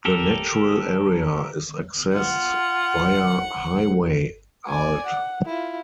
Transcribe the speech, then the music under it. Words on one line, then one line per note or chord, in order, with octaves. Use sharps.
The natural area is accessed via Highway Alt.
G4 A4 A#4
F4 F#5
D5 G#5
F#5
E4 F4